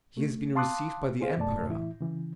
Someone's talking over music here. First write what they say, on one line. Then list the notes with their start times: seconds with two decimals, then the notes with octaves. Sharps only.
He has been received by the Emperor.
0.17 A3
0.55 F5 A5 C6 D6 D#6 F#6
1.20 G4 G#4 C5 F5
1.38 F#2 B2 A3 D5 A5
1.68 A2 E3 E4
2.01 C#3 E3